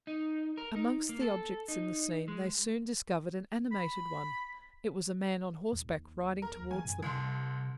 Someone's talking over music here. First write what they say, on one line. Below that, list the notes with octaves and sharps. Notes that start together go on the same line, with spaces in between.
Amongst the objects in the scene, they soon discovered an animated one; it was a man on horseback riding towards them.
D#4
A#4
D#4
A#3
A4
D#4
G#3
B5
D#2
A#4
E3 G#5
F#2
C2 C3 C6